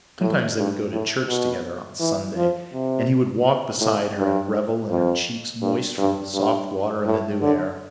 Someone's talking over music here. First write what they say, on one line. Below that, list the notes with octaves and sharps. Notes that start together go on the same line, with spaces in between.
Sometimes they would go to church together on Sunday and he would walk beside her and revel in her cheeks moist from the soft water in the new air.
A2
G2
A2
B2
E3
F3
C3
A2
G2
F2
G2
G2
G2
A2
D3